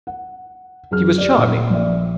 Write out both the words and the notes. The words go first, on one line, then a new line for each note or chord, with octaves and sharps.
She was charming.
F#5
F#2 G#4 F6
G4 D5
A#2
A#1 D5 E5